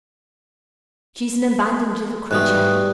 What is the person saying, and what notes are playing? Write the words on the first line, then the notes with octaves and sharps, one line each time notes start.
'She is an abandoned little creature.'
G#2 B2 G3 A3 D#6 F#6